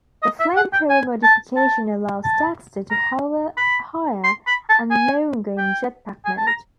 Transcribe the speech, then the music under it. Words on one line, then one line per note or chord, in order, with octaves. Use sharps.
The flamethrower modification allows Daxter to hover higher and longer in jet-pack mode.
D#5
E5
F#5
G5
G#5
A5
A5
A5
A#5
B5
C6
B5
A5
G#5
G5
G#5
A5
A#5